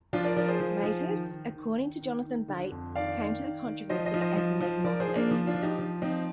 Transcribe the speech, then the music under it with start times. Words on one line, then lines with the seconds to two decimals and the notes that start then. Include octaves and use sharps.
Matus, according to Jonathan Bate, came to the controversy as an agnostic.
0.13 F3 D4 F4
0.24 A#4 D5
0.36 F3 A#4 D5
0.48 G#4 C5
0.60 F3
0.83 F3
1.07 D#3
1.30 D#3
1.54 D#3
1.78 D#3
2.02 D#3
2.24 D#3
2.48 D3
2.72 F2
2.96 D#3 D5 F5
3.20 D#3
3.43 D#3
3.66 D#3
3.89 F3 C5 D#5
4.05 C5 D#5
4.14 F3
4.21 C5 D#5
4.37 F3
4.60 F3
4.84 F3 A#4 D5
5.00 G#4 C5
5.07 F3
5.16 A#3 D4
5.31 F3
5.47 D4 F4
5.54 F3
5.63 D#4 G4
5.79 F3
6.02 F3 C4 D#4